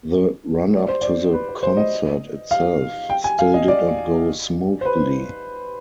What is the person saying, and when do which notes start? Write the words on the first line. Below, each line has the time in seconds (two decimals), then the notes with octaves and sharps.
The run-up to the concert itself still did not go smoothly.
0.75 D5
0.88 C5
1.01 D5
1.33 B4
1.49 B4
1.63 C5
1.77 D#5
2.51 F5
3.10 G5
3.24 G#5
3.39 F5
3.54 D#5
3.68 D5
4.81 C5
4.85 B4